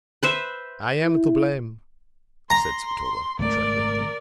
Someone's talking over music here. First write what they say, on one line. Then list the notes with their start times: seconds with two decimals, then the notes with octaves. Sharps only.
"I am to blame," said Spatola, contritely.
0.23 B4 C5 E5
1.03 E4
2.50 A#5 C6
3.39 G#1 C#3 A3 A#4 D5